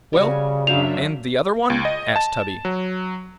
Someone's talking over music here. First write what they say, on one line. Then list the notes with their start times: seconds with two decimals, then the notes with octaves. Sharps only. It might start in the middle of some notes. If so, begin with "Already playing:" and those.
'Well, and the other one?' asked Tubby.
0.13 C#3 G3 F#4 G#5
0.67 F#2 F#3 D4 C5 E5 F5 F7
1.70 C#2
1.85 D#5
2.16 A5
2.65 F#3